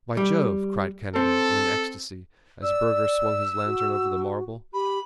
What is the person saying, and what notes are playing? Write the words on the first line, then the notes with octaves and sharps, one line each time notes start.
"By Jove!" cried Kennedy in an ecstasy, as Burger swung his lantern over the marble.
G3
C4 A4
D5 E6
F#4
G4 B5